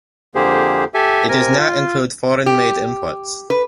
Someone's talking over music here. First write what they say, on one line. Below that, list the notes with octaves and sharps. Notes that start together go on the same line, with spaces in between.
It does not include foreign-made imports.
F2 D3 A#3 G4 G#4 C5
G4 A4 E5 G#5
C3 A#4 G#5
F4
G4
B4